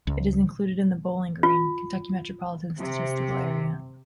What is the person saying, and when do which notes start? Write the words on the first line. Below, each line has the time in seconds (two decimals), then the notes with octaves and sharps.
It is included in the Bowling Green, Kentucky Metropolitan Statistical Area.
0.07 C#2
1.43 F4
2.78 C3